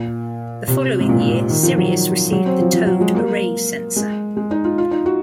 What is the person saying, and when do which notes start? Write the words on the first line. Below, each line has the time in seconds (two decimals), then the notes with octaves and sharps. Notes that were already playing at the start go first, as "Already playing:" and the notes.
The following year, "Sirius" received the towed array sensor.
Already playing: A#2
0.68 C3
1.01 G#2
1.09 A#2
1.20 A#2
1.30 A#2
1.50 D#3
1.63 F3
1.78 F#3
2.32 F#3
2.46 C4
2.60 F3
2.73 F3
2.87 F#3
3.01 G#3
3.15 A#3
3.96 G#3
4.37 G#3
4.51 D#4
4.64 F4
4.78 F4
4.91 D#4
5.06 F#4